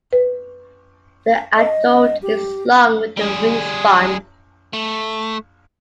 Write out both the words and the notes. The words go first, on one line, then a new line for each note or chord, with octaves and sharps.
The adult is long with a wingspan.
B4
D#5
G4
G3 G#4
A3